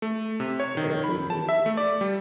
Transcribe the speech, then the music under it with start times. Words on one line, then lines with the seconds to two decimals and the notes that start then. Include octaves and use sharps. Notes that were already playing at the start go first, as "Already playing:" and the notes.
it's, like, a business
0.02 A3
0.40 C3
0.60 C#5
0.77 D#3
1.04 B5
1.30 A5
1.49 E5
1.66 A3
1.77 D5
2.01 G3